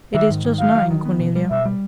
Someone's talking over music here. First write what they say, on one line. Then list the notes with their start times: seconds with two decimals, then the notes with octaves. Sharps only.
"It is just nine, Cornelia."
0.15 D#3 E5
0.30 G#2
0.45 D#3
0.60 F#3 F5
0.75 F#3
0.91 D#3
1.05 B3
1.20 B2
1.36 G3
1.51 B2 E5
1.65 G3